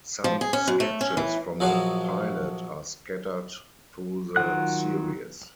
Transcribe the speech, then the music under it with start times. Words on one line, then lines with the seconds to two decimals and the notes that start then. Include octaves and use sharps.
Some sketches from the pilot are scattered through the series.
0.24 F3
0.41 G#4
0.53 C#4
0.68 F#2
0.80 A3
1.01 C#4
1.17 E3
1.60 A#1 F3 F#3 F#4 F5
4.36 D#3 F#3 F4 F#5 F#6